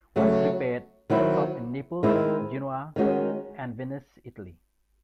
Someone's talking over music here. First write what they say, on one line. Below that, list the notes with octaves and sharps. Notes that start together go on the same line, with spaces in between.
Once repaired, it stopped in Naples, Genoa, and Venice, Italy.
C#3 F#3 A3
D#3 F#3 C4 E4
D#3 G#3 C4 E4
D#3 G#3 C#4 F#4